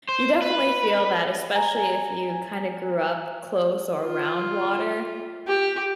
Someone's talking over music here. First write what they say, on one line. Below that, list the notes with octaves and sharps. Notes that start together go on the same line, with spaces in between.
You definitely feel that, especially if you kinda grew up close or around water,
C5
B4
G#5 A#5
F4
G4